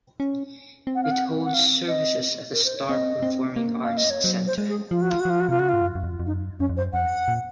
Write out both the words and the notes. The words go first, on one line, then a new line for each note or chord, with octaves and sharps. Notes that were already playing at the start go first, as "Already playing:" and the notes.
It holds services at The Star Performing Arts Centre.
C#4
C4
F#5
F5
F#5
F#5
F5
D#5
A#4
C5
C#5
C4 D#5
C4
A#3
F5
D#5
C#5
F#3 C5
C5
G#3
G#4
F3 F4
F#4
F4
F#4
F3 F4
F#4
C3 F4
C#3 F#4
G#2 F4
F#2
F#2
F2
F2
F#2 D#4
F#2 C#4
F2
F#2 C5
F2 F#5
A#2